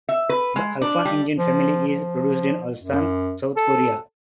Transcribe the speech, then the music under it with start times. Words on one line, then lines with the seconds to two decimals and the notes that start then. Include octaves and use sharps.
The Alpha engine family is produced in Ulsan, South Korea.
0.09 E5
0.29 B4
0.56 G#3
0.81 D4
1.05 G3
1.39 F3
1.87 F3
2.83 F#2
3.57 A4